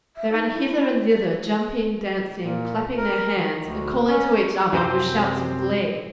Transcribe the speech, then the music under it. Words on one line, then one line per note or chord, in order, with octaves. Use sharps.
They ran hither and thither jumping, dancing, clapping their hands and calling to each other with shouts of glee.
E5
D#4
E4
A#2
A#4
D#3
D2
C#4
F#2 C3 C4 C5